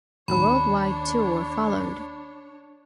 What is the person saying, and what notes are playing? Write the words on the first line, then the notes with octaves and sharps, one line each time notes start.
A worldwide tour followed.
D#2 D4 C#5 B5